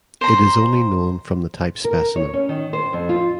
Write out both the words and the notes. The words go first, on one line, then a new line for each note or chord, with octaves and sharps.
It is only known from the type specimen.
C5 A#5
A#4
C#5
C#4
D#3
C5
F2
F4